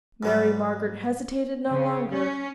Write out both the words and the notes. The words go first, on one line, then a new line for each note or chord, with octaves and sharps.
Mary Margaret hesitated no longer.
G#2 F#3 G3
C#3
C#4